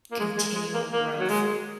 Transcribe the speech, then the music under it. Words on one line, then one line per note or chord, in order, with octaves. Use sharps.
continual growth,
A#3
G#3
G#3
G#3
A#3
A#3
F#3
G#3